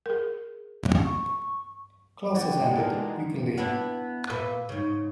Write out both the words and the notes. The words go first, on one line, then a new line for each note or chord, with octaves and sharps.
Class has ended, you can leave.
G#4 A#4
C#6
B3 E4 F#4 D5 G5
G3 G#3
B2 E3 D#4 A4 A#4
F#5 A5
B3 D4 E4
A#2 B4 E5
G#2 C#3